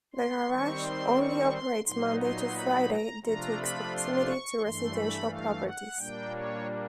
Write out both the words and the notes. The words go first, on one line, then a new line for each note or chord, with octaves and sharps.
The garage only operates Monday to Friday due to its proximity to residential properties.
C6
D#3 G3 C4 C#6
C6
C#6
C6
A#2 F#3 B3 D#4 C6
C6
B5
A#5
C3 F3 A3 D4 F4 A#5
B5
C6
C#6
G2 E3 A3 C6
B5
F5
F#5
A#2 G3 A#3 D4 G5
C#5